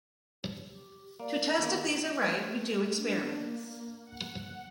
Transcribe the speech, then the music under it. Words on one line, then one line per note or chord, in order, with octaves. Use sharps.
To test if these are right, we do experiments.
G4
A#3 D5
E2 D#3 A#3
A3
D4
A#3
F#5